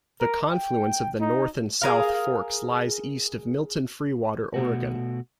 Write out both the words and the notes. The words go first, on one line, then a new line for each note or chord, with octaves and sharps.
The confluence of the North and South Forks lies east of Milton-Freewater, Oregon.
A#4
G5
D#4
G#4 A#4 F5
B2 A3 F#4